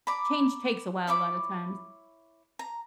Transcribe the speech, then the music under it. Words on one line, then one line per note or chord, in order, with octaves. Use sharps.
change takes a while, a lot of times.
D5 A#5 B5
E4 C#5 B5 D6
A#5